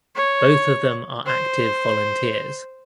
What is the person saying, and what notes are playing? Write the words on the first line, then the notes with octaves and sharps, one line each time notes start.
Both of them are active volunteers.
C#5
C5